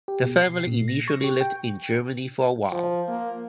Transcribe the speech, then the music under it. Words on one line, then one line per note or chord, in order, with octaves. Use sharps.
The family initially lived in Germany for a while.
G4
B2
C7
A#2
A#6
C#6
G4
G5
F3
A#3